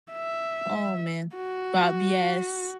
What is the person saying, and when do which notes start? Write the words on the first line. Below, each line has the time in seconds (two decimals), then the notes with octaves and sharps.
Oh man, Bob Yes.
0.12 E5
1.35 F#4